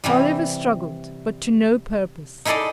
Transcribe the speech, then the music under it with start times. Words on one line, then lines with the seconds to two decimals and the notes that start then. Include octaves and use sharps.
Oliver struggled, but to no purpose.
0.04 C3 E3 G3
2.45 D#4 E4 G#4 A4 D5 D#5